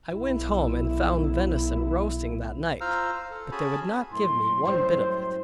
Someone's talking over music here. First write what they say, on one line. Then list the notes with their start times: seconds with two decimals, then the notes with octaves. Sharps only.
I went home and found venison roasting that night, but they would not give me one bit of it.
0.12 B1 E4
2.81 F4 C5 F5 A#5 E6 F6
3.30 A4
3.52 C#4 F#4 G#4 G#5 A5 B5
4.13 F#2 A2 E4 C6
4.65 G3 C4 C5